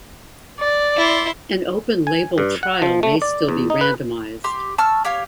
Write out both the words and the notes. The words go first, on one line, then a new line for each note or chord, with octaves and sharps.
An open-label trial may still be randomized.
D5
E4 C6
G#5
G2
F#5
F3
A3
D5
E2
D#4
B4
G4 C6
A5 C#6 E6 F6
G4 C#5 F5